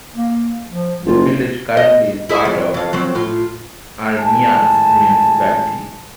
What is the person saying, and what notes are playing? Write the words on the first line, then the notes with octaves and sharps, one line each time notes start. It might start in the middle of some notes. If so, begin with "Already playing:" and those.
The village currently is part of Armyansk Municipality.
A#3
F3
F#1 F4
D#5
E4 G#4 E5
F2
F2 F5
F3 F#3 C4
A2 F4
G#1 A2 G#3 G#4 G#5 A5